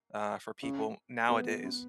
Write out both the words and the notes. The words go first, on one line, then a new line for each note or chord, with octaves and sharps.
uh, for people nowadays.
C#3
B2 B3 B4
A#2
F#2